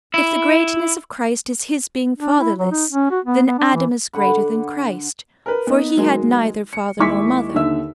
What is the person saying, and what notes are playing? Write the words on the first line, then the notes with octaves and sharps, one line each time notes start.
If the greatness of Christ is His being fatherless, then Adam is greater than Christ, for He had neither father nor mother.
E4
D4
E4
F#3
D#4
C#4
F#4
B3
B3
D4
E3
D3 F#5 B5
A#4 B4
B3 D#4
D#3 F#3 G#3 A#3
C#7
D#2 G#3 E4 C#6 D6 B6
D#2 D3 D#3 E5 E6